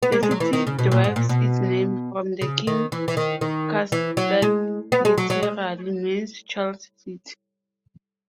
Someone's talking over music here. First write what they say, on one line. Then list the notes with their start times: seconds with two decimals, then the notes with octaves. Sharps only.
The city derives its name from the King - Karlstad literally means "Charles' city".
0.03 B3
0.12 A#3
0.23 G#3
0.31 F#3
0.40 E3
0.53 D#3
0.67 C#3
0.79 B2
0.91 A#2
1.04 G#2
1.16 A#2
1.29 B2
2.42 C#3
2.67 D#3
2.92 E3
3.08 E3
3.17 D#3
3.41 D#3
3.92 E3
4.17 F#3
4.42 G#3
4.92 B3
5.05 G#3
5.18 F#3
5.30 F#3
5.43 G#3